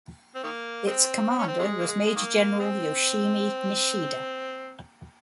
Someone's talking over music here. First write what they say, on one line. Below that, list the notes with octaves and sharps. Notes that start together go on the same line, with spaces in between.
Its commander was Major General Yoshimi Nishida.
C4
D#3 A#3
G#3 C4
C4
C#4
C4
C3 D#3 G#3
A#3
G#3
G#3
D#3 A#3
G#3 C4